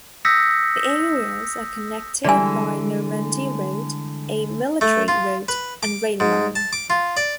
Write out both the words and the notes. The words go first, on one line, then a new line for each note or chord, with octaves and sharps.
The areas are connected by Normandy Road, a military road and rail line.
D#6 E6 G6 A#6 B6 C#7
D3 E3 G3 G#3 D5 G#5 E6
A3
F4
B4
D6
G#2
A5
D6
F4
D5